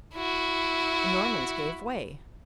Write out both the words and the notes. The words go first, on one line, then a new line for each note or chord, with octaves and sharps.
The Normans gave way.
E4 F#4